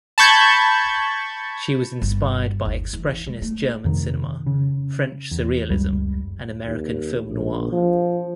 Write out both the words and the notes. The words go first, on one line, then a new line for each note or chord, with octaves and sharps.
She was inspired by expressionist German cinema, French surrealism and American film noir.
A5 B5 C#6 G6 G#6
G1
D#2
E3
G#3
A3
F2 C3 D#3
C#3
E2
F#1 C#2 G3
D#2
A#1
F3